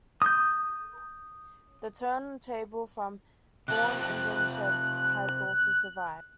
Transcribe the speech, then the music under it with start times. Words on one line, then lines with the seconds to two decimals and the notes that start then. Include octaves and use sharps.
The turntable from Bourne engine shed has also survived.
0.22 D#6 G6
3.68 C3 F3 A4 F#6